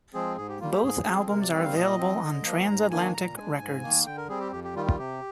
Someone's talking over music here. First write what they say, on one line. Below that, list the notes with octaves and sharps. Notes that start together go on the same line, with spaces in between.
Both albums are available on Transatlantic Records.
F3 G#3 C4 G#4
G#2 G#4
G4
G3 A#3 F4
G4
G#2 G#4
F3 C4
C3 A#4
D5
D#3 G3 C4 D5
F5
A#2 D#5
F3 C4
D3
F3 A#3
G#2 A#5
D#3 A#3 D4 G#5
A#2 A#5
G#3 D4 G#5
G#2
D#3 A#3
D3 G5
A#4
G3 C4 G#4
G4
F2 G4
G4
D#3 G3 F4
F4
C3 G4